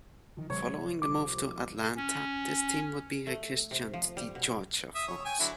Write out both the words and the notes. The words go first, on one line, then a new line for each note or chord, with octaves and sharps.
Following the move to Atlanta, this team would be rechristened the Georgia Force.
D#3 F3
C3 F#3 G#3 C#5
C2 F3 G3 D6
C#4
A3
C3
F3
G3
B2
E5 D#6
C#5
G5 G#5
D3 F#3 E4